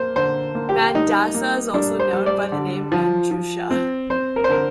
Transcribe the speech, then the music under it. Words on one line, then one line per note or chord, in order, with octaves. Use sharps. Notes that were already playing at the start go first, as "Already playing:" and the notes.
Mandasa is also known by the name "Manjusha".
Already playing: A#3 C5
D3 C5
A#3
G4
G3 D#4
A#3
G3 D4
C5
G3
D5
D3
F3
F3
C4
C4 C5
A#4
C5
D3 A#4